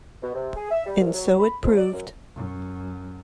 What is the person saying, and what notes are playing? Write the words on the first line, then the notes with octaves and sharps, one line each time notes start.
And so it proved.
B2
C3
G#4
E5
G3
C2
F#3
B5
F2
D5
F#2
F#2